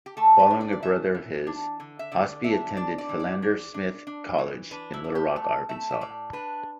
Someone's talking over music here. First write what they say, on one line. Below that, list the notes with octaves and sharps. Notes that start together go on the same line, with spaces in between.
Following a brother of his, Ausbie attended Philander Smith College in Little Rock, Arkansas.
G4
A3 A4
B4
D4
D5
D5
E3 E5
E3
D4
D3
E5
D3 D5
D4 E5
D4 D5
D5
E3
D5
D4
D4
D4
E3
D4 B4
E4
D4
G4
A3
A3 E5
E5
A2 D5
D4 B4